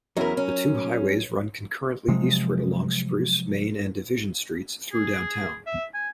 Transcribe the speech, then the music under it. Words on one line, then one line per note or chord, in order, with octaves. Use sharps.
The two highways run concurrently eastward along Spruce, Main and Division streets through downtown.
E2 F#3 C#4 E4 A#4
C#4
C3 F3 F#3 G#3
G#4
E5
G#5